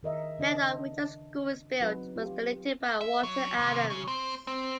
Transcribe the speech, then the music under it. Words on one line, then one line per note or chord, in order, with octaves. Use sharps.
The land on which the school is built was donated by Walter Adams.
D#3 A#4 D#5 E5
C#3 D4 D#5
F#3 C4 D#4 F#4 B4
F4 G4
E5
F#3
D#2 C3
C#3
C4
C4